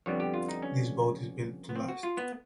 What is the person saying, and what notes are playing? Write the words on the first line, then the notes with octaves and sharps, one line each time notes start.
This boat is built to last.
F2 D3 G3 B3 C#5
G4
F4
D#4
C#4
B3
C4
F#4
F4
B3